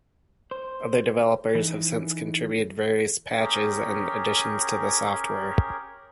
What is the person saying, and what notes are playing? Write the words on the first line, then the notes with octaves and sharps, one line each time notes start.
Other developers have since contributed various patches and additions to the software.
C5
E3 D#4
C#4 G4 G#4 A#4